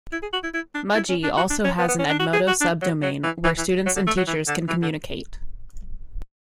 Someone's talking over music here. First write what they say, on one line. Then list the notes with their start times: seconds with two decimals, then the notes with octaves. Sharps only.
Mudgee also has an Edmodo subdomain where students and teachers can communicate.
0.12 E4
0.22 G#4
0.33 F#4
0.43 E4
0.54 E4
0.75 D4
0.95 E4
1.09 C#4
1.23 D4
1.37 F#4
1.50 D4
1.64 C#4
1.78 B3
1.89 B3
1.99 C#4
2.09 D4
2.20 F#4
2.33 G#4
2.47 F#4
2.61 D4
2.82 F#3
3.02 F#3
3.24 E3
3.44 E3
3.58 E3
3.86 F#3
3.96 D3
4.07 A3
4.17 F#3
4.27 E3
4.48 D3
4.69 E3
4.82 D3